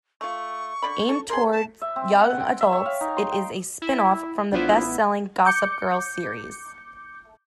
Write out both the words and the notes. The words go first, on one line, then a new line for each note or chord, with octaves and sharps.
Aimed toward young adults, it is a spin-off from the bestselling "Gossip Girl" series.
A3 F4 C#6
D3 D5 B5
A4
G#4 A#4 C6
A5
E5
C4
F#5
G5
E5
C#5
F5
D#4
C6
G5
E4
A1 B3 D4 E4 F4 C5
D6 G6 C#7